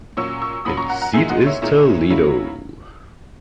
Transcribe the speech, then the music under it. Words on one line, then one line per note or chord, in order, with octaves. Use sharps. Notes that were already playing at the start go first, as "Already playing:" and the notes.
Its seat is Toledo.
A#2 F#3 C#4 C#6 E6
C#6 E6
A#2 F#3 C#4 B5 D#6
A#5 C#6
F#5 A#5
F#5 A#5
A#2 G#3 D#4 E5 G#5
D#5 F#5
C#5 E5
A#2 G#3 D#4 C#5 E5
C#3 F#3 C#4 E4